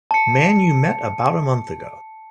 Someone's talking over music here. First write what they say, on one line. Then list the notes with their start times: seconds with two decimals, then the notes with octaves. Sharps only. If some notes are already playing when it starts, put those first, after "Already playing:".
Man you met about a month ago.
0.11 A5 C#7